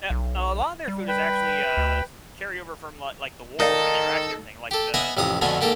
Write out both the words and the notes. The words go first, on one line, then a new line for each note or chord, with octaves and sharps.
Eh a lot of their food is actually, uh, carryover from, like like, the war where they're rationing everything, like, the
B1
G3
B4 G5 B5
D2
D#3 D#4 A4 A#4 D5 F5
G4 A4
B3 D#5 E5 G#5 A#5
A1 F2 C3 F5 D#6
F2 B2 D3 A3 F4 G#5
G#2 A#3 G4 A4